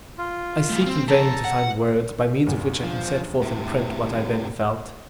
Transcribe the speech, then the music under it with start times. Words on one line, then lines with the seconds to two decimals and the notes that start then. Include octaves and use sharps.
I seek in vain to find words by means of which I can set forth in print what I then felt.
0.18 F4
0.70 G3 A3
0.86 C4
1.08 C3 A3 A4 A5 A#5
1.45 F#5
2.47 E2 G2 A#2
2.83 F3
3.42 A2 C3